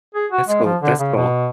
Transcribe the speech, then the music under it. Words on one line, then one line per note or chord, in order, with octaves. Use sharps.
That's cool, that's cool.
G#4
F#4
G#3
F3
D3
C#3
B2